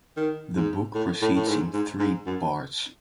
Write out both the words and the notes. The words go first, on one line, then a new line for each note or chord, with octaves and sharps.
The book proceeds in three parts.
D#3
G#2
A2
A2
A2
G#2
G#2
G#2
F#2